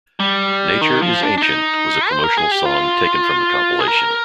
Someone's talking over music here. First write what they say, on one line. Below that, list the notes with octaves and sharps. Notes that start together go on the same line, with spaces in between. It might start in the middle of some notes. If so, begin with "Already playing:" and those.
"Nature Is Ancient" was a promotional song taken from the compilation.
G3
D#3
F3
D4
D4
D#4
C5
A#4
G#4
G4
F4
G#4
A#4